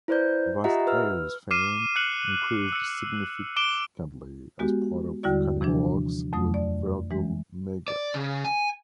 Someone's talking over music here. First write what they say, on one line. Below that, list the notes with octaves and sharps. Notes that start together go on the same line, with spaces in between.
Vast Aire's fame increased significantly as part of Cannibal Ox with Vordul Mega.
E4 B4 C5 D5 G6
F4 G4 D#5 E5 F#5 A#5
B4 E6 F6
D6 F6 C7 D#7 E7
F6 F#6 C#7 F#7
E6 C#7
D6 D7 E7 G7
G#3 B3 F#4 G4
D#2 D3 G3 E4 F#4 D5
C3 E3 F3 D4
F2 F#3 A3 D#6
D5
E3 G#3
D5
C#3
G#5